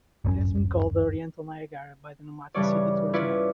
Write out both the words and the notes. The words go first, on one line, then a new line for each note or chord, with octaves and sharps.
It has been called the "Oriental Niagara" by the Numata City Tourism Board.
D1 G1 F#2 C#4
G2 C#3 E3 G3 C#5 D5
C#4 E4 F4 B4 C#5 D5